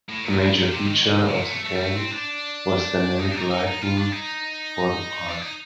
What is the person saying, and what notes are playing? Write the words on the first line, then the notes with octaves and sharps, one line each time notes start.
A major feature for the game was dynamic lighting for the park.
A2
A#2
A2
A#2
C3
D#3
D3
A2
C3
A#2
A3
A3
G3
A3
C4
D4
D#4
D4
D#4
D#4
D#4
F4
D4
D#4
D4
D#4